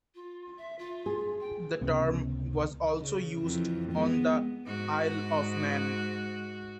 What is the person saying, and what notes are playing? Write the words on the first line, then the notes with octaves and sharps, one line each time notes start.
The term was also used on the Isle of Man.
F4
E5
F4
G#4
G5
C#2 C3 B3 C#4
C#3
F2 E3
G#3 B3
G#2 F#4